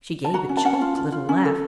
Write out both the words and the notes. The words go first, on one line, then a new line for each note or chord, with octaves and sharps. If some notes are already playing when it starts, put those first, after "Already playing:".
She gave a choked little laugh.
A5
F#4 A#5
C#4
A5
C#4 F#5
A5
F4
F4
F4
C#4
A4